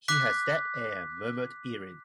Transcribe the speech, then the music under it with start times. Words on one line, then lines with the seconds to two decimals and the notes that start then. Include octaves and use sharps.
"He has that air," murmured Erin.
0.08 D6 F#6 B6